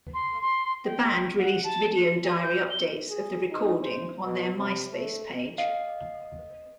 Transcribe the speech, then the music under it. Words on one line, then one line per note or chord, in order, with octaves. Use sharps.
The band released video diary updates of the recording on their MySpace page.
C6
C6
G5
F#5
A5
C#7
G#5
G6
G7
G#4
D#4
C5
B2
C3
A3
D#5 F5